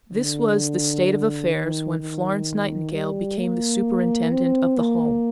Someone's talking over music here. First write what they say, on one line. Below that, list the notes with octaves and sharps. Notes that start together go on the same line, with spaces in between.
This was the state of affairs when Florence Nightingale became the Superintendent of the Home.
D3
D#3
D#3
G3
A#3
C4
A#3